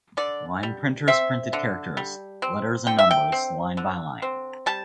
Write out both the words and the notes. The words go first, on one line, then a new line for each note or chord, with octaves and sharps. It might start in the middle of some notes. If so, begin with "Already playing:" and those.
Line printers printed characters, letters and numbers line by line.
D3 D5
G3
C4 E5
D3
G3
C4
D3 G5
E5
G5
C4
D3
C4
G3 A5